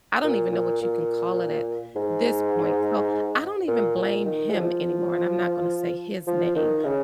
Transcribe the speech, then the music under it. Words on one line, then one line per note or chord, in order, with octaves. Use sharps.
I don't even know what you can call it at this point, so I don't even blame him anymore, and I'm not gonna say his name;
A#2
A#2
A#2
G#2
A#2
A#2
D#3
G#3
F3
F3
D#3
C#3